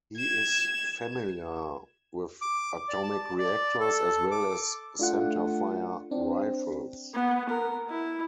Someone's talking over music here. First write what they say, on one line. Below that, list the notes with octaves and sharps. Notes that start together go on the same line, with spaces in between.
He is familiar with atomic reactors as well as centerfire rifles.
G#6 E7
D6
D5
A5
D5
A4
D6
A3 D4 F4 F#5
C4 D4
B3
A#4
E4